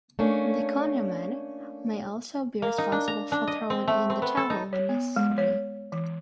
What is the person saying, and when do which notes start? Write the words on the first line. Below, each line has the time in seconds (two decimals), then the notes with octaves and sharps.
The cornerman may also be responsible for throwing in the towel when necessary.
0.19 A3 A#3 C#4 D4
2.62 A#3
2.78 D#4
2.92 D4
3.08 A#5
3.32 D4
3.47 D#5
3.70 C4
3.88 A3
4.10 C4
4.22 B3
4.37 A4
4.50 D#4
4.73 C#5
4.89 B3
5.16 G#3
5.38 C#5
5.92 E3